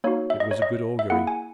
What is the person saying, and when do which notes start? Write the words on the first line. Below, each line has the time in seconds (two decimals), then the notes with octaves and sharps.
It was a good augury.
0.04 A#3 D#4 F#4 C#5
0.30 E5
0.40 D#5
0.51 C#5
0.62 D#5
0.99 E5
1.10 A#3 E4 G#4 F#5
1.27 G#5